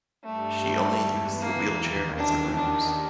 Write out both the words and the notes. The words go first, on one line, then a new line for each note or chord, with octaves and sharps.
She only used the wheelchair as a ruse.
G2 G3 A3
E2 E3
A#3
D#2 D#3
E2 E3 D4
D#2 D#3 D4